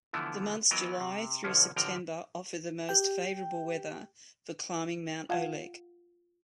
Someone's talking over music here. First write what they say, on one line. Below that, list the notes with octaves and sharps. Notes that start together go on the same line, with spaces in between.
The months July through September offer the most favorable weather for climbing Mount Oleg.
D3 E3 F3 A3 B3 E4
E3 F#3 B3 A#4 D#5
C3
B1 D3 F3 C#4
A1 D3 F3 G5 A#5
G4 G5
F4 F5 F#5 A5 G#6